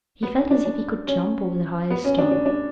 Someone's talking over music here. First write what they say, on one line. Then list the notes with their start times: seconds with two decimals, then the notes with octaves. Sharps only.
He felt as if he could jump over the highest star.
0.23 B3
0.37 C#4
0.51 D4
0.65 D4
1.07 C#4
1.90 B3
2.04 C#4
2.18 D4
2.31 D4
2.46 D4